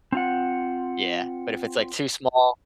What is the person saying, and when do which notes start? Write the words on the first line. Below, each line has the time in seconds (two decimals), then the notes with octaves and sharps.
yeah, but if it's, like, too small,
0.12 C4 F4 F#5